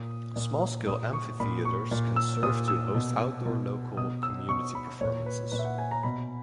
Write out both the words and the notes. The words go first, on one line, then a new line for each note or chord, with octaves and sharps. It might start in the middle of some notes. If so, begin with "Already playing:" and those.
Small-scale amphitheatres can serve to host outdoor local community performances.
Already playing: A#2 D#6
A#2
A#2 D#6
C#6
A#2 B5
C#6
A#2
E6
A#2 D#6
E6
B2
B2
B2 D#6
E6
B2 C#6
B5
A#2 C#5
B4
A#2 B4
E5
F#5
G#5
A#5
B2 B5